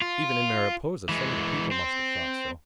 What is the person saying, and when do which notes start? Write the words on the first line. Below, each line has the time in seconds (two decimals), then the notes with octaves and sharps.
Even in Mariposa some of the people must have thought so.
0.02 F4
1.09 E3 G#3
1.71 C4